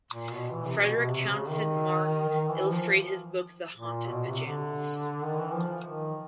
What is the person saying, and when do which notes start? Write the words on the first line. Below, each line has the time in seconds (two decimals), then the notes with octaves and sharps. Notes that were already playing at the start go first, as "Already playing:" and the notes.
Frederick Townsend Martin illustrated his book "The Haunted Pajamas".
0.12 A#2
0.31 B2
0.52 E3
0.66 C3
0.81 B2
0.96 B2
1.11 C3
1.31 C#3
1.50 D#3
2.29 D#3
2.48 E3
2.69 F3
3.77 A#2
4.07 B2
4.26 C3
4.46 D3
5.25 D#3
5.39 E3
5.54 F3
5.85 D#3